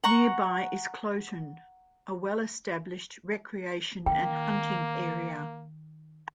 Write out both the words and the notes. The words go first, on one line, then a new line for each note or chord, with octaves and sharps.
Nearby is Kloten, a well-established recreation and hunting area.
F#5 A#5 C#6
D#3 A#3 G5